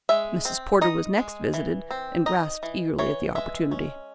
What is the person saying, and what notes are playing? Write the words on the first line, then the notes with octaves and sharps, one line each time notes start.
Mrs. Porter was next visited and grasped eagerly at the opportunity.
G#3 E5
C4
D#4 D#5
G#3
E3
C4
D#4 D#5
E3
E3 C#5
G#3 E5
C#4